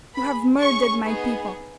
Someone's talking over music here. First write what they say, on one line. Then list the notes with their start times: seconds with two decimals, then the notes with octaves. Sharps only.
You have murdered my people!
0.15 B3 G#4 B5
0.60 C#4 G#4 C#6
1.05 B3 D#4 G#4